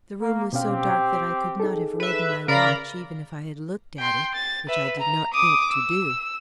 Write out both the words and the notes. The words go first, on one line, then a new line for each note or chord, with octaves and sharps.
The room was so dark that I could not have read my watch, even if I had looked at it, which I did not think to do.
A#3
B2 C4 C#4 G4 F5
G5
D#4 G#4 A4
B4 E5
C#3 A#4 D5 F5 A#5 B5
G5 C6
A6
B4 E5
A#5
D6 D#6
E6